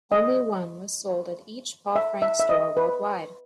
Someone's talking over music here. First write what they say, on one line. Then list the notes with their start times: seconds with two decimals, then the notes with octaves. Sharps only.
Only one was sold at each Paul Frank store worldwide.
0.12 D#5
1.96 E5
2.22 E5
2.40 E5
2.49 D#5
2.77 B4